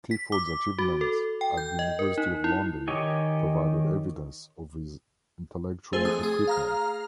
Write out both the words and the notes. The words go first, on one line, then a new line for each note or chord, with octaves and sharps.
Clifford's achievements at the University of London provided evidence of his intellectual equipment.
B6
D6
F#4
A4
G5
G6
D#5
A#4
D#4
E4
D#3 G4 C#5 D#5 G#5
A3 G#4 C5
F2 D#6
G#4
F5 A#5 F6